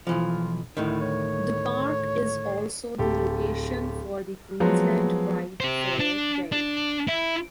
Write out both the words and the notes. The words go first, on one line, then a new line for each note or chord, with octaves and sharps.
The park is also the location for the Queensland Pride fair day.
B1 E3 F3 F4
D2 A2 D#3 E4
C#5
D1 G4 A4
F3 F#3 G#3 B3
G4 C5
D4
D4
E4